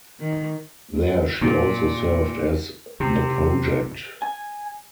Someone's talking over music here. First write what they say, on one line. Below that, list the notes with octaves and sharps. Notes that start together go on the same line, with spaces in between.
There she also served as the project.
D#3
A#2
C3
G#5